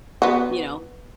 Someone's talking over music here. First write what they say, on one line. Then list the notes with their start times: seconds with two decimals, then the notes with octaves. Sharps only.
you know
0.22 B3 F#4